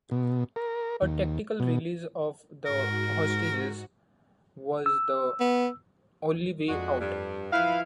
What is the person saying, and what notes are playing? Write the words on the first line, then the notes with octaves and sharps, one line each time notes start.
A tactical release of the hostages was the only way out.
B2
A#4
D#2
B2
G#2 F#4 A#4
E6
B3
F2 G#3 D4 F#4
G2
F3 E4 B4 F5